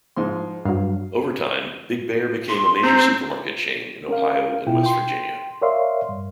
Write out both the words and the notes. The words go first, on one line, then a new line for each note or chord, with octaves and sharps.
Over time, Big Bear became a major supermarket chain in Ohio and West Virginia.
G#2 F3 C6
G2 F#3 F5
C6
C4 A#5
C#4 A#4 F5
B2 E4 F4 G5
G5 C6
A#4 C#5 D5 E5 F5 C6
G2